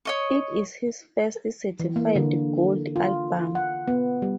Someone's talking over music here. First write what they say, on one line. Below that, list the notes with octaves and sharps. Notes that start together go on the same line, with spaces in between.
It is his first certified Gold album.
C#5 D#5 C#6
E3
A#3
D3
F4
F#5
B3
G3